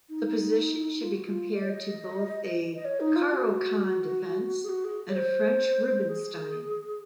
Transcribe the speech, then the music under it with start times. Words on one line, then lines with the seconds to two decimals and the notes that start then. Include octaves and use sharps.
The position should be compared to both a Caro-Kann Defense and a French Rubinstein.
0.10 D#4
1.02 F4
1.13 F#4
1.26 F4
1.56 D#5
1.62 C#5
1.71 D#5
2.75 D#5
2.85 C#5
3.00 D#4
3.16 F4
3.31 F#4
4.64 G#4
4.69 F#4
4.84 G#4
5.09 C#5
5.16 C5
6.08 G#4